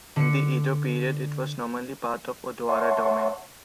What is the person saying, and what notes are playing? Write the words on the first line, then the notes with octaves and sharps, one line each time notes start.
In the Edo period, it was nominally part of Odawara Domain.
D3 C#7
C#5 E5 F#5 A5 C6 C#6